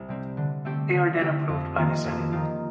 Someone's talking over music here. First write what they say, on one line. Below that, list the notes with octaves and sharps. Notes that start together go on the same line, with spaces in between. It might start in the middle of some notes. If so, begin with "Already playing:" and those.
They are then approved by the Senate.
Already playing: C2
C3 G3 C4
D3
A3 C4 G4
D3
A3 C4 G4
F2
D#3 A#3 F4
F2
D#3 A#3 F4